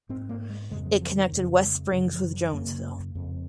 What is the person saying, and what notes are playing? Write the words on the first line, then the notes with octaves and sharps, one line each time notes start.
It connected West Springs with Jonesville.
G#2 C4
A#3
G#3
F2 C#3 G#3
F#3
F3
D#3
F2 C#3
G#3
F#2 C#3 F#3
F3
F#3
F#2 C#3 A#3
F2 C#3